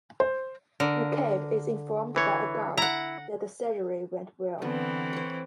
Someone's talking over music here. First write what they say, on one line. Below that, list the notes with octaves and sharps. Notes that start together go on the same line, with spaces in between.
McCabe is informed by a guard that the surgery went well.
C5
D3 A#4
E3 C#5
E4 F#5 A#5
D3 E3 B3 C4
C5 C#5